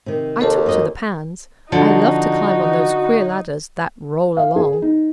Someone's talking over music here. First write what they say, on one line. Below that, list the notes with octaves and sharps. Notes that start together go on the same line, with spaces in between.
"I took to the pans--I love to climb on those queer ladders that roll along!"
C3 D#3
D#2 A4 C5 A5
F#2 A#4 D#5
D3 F3 D#4 F#4
F5
G#4
D#4